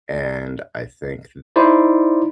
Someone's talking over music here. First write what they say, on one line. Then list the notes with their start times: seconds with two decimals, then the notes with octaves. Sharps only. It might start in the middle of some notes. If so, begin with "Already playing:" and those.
And, I think
1.56 D#4 E4 C5 D5